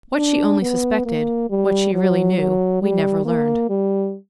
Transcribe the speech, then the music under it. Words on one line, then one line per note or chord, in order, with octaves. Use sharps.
What she only suspected, what she really knew, we never learned.
D4
B3
A#3
G3
F#3
F#3
G3
A#3
G3